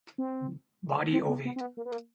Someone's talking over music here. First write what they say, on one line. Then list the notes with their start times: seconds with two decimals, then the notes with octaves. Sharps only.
Body ovate.
0.18 C4
1.13 C4
1.29 B3
1.45 B3
1.56 C4
1.61 B3
1.77 A#3
1.85 B3
1.92 A#3